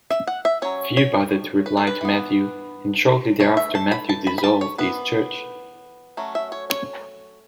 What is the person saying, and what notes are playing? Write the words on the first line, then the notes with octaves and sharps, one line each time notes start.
Few bothered to reply to Mathew and shortly thereafter Mathew "dissolved" his church.
E5
F#5
E5
F#3 C#4 C#5
C#5
B4
A4
B4
E3 B3
E3 A3 C#5
E5
A5
B5
A5
B5
B5
A5
C#5
E3 B3 B4
F#3 A3 C#4
E5
C#5
C#5